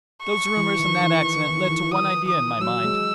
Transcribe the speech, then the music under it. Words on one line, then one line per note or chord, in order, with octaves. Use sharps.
Those rumours and that accident led to one idea in my mind.
C#6
E3
D#3
E3
D#3
E3
D#6
D#6
F#3 E6
G#3